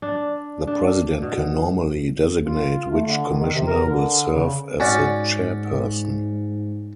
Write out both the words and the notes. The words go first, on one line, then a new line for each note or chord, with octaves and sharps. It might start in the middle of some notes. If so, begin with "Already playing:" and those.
The president can normally designate which commissioner will serve as the chairperson.
D4
D4
B2
F4
A3
D3
D#3
D#3
C3
A#4
D3
C#3
G#2 C#4 F#4 D5